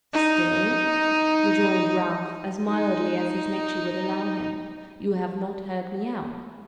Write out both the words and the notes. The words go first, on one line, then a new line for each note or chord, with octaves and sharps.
'Still,' rejoined Ralph, as mildly as his nature would allow him, 'you have not heard me out.
D#4
D#4